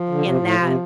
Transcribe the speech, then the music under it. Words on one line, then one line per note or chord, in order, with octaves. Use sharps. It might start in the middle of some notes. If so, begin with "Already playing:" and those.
and that
Already playing: F3
D3
C3
A2
C3